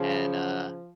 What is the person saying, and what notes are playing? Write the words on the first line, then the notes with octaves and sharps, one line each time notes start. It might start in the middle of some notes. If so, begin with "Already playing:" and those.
and, uh,
Already playing: C#3 F3